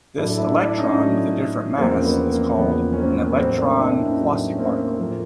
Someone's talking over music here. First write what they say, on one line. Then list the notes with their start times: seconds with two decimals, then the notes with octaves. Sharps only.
This "electron" with a different mass is called an "electron quasiparticle".
0.18 A2 F#3 D4 E4
0.38 D4 E4
0.58 D4 E4
0.78 C#4 D#4
0.98 A2 F#3
1.78 E2 C#3 F3 A#3 C4
2.05 B3
2.32 A#3
2.58 E2 C#3 F3 B3
2.93 C#4
2.98 A#3 C4
3.33 B3
3.38 A2 F#3 A#3 C4
3.58 C4 D4
3.79 D4 E4
3.98 C#4 D#4
4.18 A2 F#3
4.52 C#4
4.58 A#3 C4
4.98 A2 F3 A#3